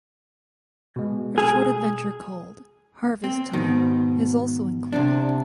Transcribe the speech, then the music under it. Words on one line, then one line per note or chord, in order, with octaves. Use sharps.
A short adventure called "Harvest Time" is also included.
B2 G#3
G#4
C4
G#2 B2 D#3
C2 C3 D4